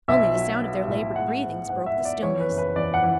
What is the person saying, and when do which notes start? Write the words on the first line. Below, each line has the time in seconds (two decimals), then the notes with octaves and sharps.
Only the sound of their labored breathings broke the stillness.
0.08 B1 E5
0.36 F#3
0.62 B3
0.88 A2
1.15 G#3 F#5
1.42 G#2
1.69 G#2 F#5
1.86 E5
1.96 B3
2.05 D5
2.23 E3 C#5
2.40 B4
2.49 F#1
2.58 B4
2.76 E2 D5
2.94 F#5
3.03 E3